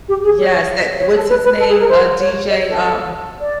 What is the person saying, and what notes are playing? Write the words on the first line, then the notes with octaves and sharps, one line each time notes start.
Yes, that what's his name? Uh, DJ, um
G4
G#4
C#5
C#5
A4
B4
B4
A4
G#4
A#4
C5
C#5
D#5
C#5
A4
D5